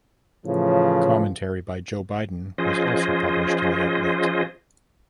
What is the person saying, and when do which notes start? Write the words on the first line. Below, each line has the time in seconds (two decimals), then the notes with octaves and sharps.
Commentary by Joe Biden was also published in the outlet.
0.45 A2 C#3 E3 F3
2.58 F3 C#4 F4 G#4 C5 D#5